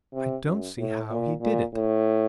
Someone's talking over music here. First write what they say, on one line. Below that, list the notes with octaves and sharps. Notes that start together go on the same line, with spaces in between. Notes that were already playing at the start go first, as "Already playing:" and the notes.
"I don't see how he did it."
C3
F#2
A2
A#2
A#2
A2